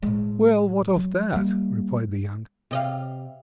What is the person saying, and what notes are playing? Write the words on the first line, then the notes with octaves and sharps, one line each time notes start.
"Well, what of that?" replied the younger.
A2 G#3
F#3
G3 A#3
C3 D#5 F5